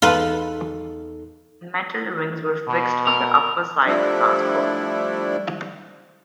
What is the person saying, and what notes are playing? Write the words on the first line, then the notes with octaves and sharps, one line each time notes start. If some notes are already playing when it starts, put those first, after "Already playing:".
Metal rings were fixed on the upper side for transport.
E2 D#4 F4 A4 B4
B2
A#4
F3 G3 A3 D4 E4